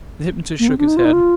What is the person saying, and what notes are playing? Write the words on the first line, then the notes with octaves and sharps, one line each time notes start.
The hypnotist shook his head.
A#3
C4
D4
D#4
F4
D#4
F4